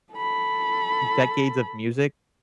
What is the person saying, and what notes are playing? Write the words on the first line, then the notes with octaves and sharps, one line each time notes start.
decades of music
A4 B5